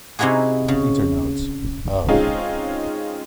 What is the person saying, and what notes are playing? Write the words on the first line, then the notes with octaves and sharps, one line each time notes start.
Internodes, of.
C3 D#4 E4 F#4 G#4
C#3
G#3 C4 C#4 D#4 F4 G#4